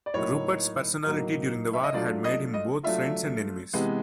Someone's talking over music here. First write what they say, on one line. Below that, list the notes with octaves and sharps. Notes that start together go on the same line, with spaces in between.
Rupert's personality during the war had made him both friends and enemies.
D5
A2 F#3 A#3 D#4 C#5
A2 F#3 A#3 D#4
E5
D#5
F#3 A3 D4 F4 D5
D#5
D#5
F#3 A3 D4 F4 E5
C3 E3 G#3 B3